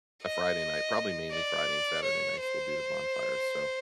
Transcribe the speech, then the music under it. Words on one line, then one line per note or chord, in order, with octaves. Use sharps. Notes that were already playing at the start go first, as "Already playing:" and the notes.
a Friday night- probably mainly Friday and Saturday nights we'll do the bonfires, so
D#5
D5
C#5
C5